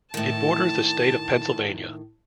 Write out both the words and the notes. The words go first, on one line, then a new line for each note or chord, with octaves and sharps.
It borders the state of Pennsylvania.
A2 D#3 A5